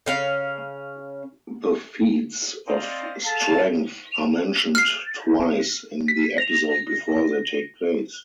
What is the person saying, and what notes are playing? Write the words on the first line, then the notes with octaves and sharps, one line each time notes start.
The Feats of Strength are mentioned twice in the episode before they take place.
C#3 C#4 F5
C4 C5 D5 D#5 F5
G#4 A4 F5 A5
F6 C7
B6
A#6